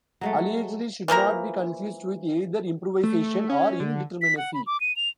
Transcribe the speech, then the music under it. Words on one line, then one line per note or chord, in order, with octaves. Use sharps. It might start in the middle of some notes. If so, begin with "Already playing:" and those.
"Aleatory" should not be confused with either improvisation or indeterminacy.
F#3 G#3 A3
E3 F3 A#3 A#5
A3
C#4
D3
B6
F#5
B5
D6
D#7
F7